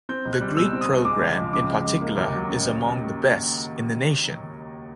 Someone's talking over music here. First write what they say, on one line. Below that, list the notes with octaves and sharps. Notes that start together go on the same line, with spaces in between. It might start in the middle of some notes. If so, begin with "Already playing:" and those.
The Greek program, in particular, is among the best in the nation.
C4 G6
C#2
F#6
G3
B2 E6
C4
D#6
C#2
G#3 D6
C#2
F3
C#3 D6
G#3
C#2
A#3
D#2
F#3
C#3